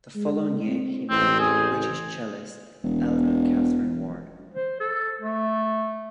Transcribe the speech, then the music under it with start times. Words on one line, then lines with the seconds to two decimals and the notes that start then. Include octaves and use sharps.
The following year he married the British cellist Eleanor Catherine Warren.
0.15 G#3
0.67 C4
1.10 A1 C4
1.39 G#4
2.84 E1
4.54 C5
4.80 A4
5.22 A3